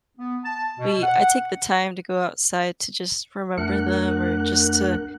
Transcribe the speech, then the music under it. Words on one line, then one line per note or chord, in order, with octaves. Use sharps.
we I take the time to go outside to just remember them or just to
B3
A5
B2
F#5
F2 A3 D4 A#4 F#5 F#6